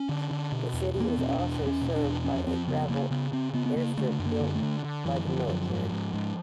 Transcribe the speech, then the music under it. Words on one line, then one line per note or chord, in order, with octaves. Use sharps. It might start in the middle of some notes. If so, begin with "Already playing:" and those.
The city is also served by a gravel airstrip built by the military.
Already playing: C#4
D3
D3
B2
E2
E2 A#3
B3
B2 C4
C#4
E2 D4
E2
C#4
B2
D4
E2
F2 C#4
F2 C4
C#3 B3
C#3 A#3
C#3 B3
C#3 C4
C#3 B3
B3
C#3 A#3
D3 A3
F#2
A#3
D3
A3
D3
D3
F#2 E3
D3 F3
F#2 F3
G#2
G#2
G#2